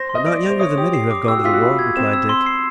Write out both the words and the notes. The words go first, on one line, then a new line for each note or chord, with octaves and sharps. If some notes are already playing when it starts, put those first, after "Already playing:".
"But not younger than many who have gone to the war," replied Dick.
Already playing: C5 A#6
C6
D#5
D5 D7
F7
C5
C#5 D#6
G4 D#6
C7
D6
G4 E6
F#4
F4 B6
F#4
F4 B5
G#6
C4 E7
E6
C6
C7